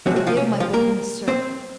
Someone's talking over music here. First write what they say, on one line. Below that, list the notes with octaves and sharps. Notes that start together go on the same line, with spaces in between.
Forgive my boldness, sir.
C3 F3 F#3 G#3 C4 F#4
F#3 F#4
F3 F4
C#4
F3 F4
A#3 A#4
C4 C5